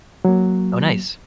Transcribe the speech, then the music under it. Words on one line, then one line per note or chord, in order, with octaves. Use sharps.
Oh, nice.
F#3 A#3